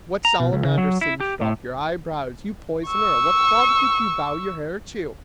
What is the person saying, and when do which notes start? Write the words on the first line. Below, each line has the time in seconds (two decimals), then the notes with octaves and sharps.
What salamander singed off your eyebrows? You poisoner, what god did you vow your hair to?
0.25 A#5
0.40 B2
0.53 C#2
0.65 C#3
0.78 F#3
1.01 E4
1.20 G4
1.41 A2
2.87 C#6 E6